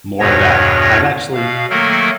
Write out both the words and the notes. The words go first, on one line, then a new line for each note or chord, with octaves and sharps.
more of that. I'm actually
E2 G2 B2 D#3 C#5 A#6
B2 F5
D#3 F#3 A3 A#3 A4 A#4